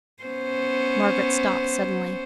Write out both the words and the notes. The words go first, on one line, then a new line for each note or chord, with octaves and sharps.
Margaret stopped suddenly.
B3 C#4 C5